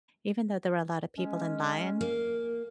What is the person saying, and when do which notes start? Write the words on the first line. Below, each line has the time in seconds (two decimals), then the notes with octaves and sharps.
even though there were a lot of people in line,
1.18 G#3 C#4
2.01 A#3